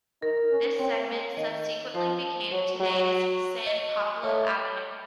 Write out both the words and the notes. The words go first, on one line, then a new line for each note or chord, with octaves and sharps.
This segment subsequently became today's "San Pablo Avenue".
D#4 A#4
C#4
C4 C#5
A#3
D#3 D#5
F3 C5
F#3 C#5
F#3
D#5
A3 C#5